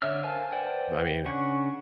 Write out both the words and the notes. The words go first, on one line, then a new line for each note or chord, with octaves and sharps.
I mean,
D3 C#5 E5 E6 F6
A#4 C5 F5 G#5 A5
B4 C5 D5 F#5 G5
C#3 C#4 D4 F#5 C#6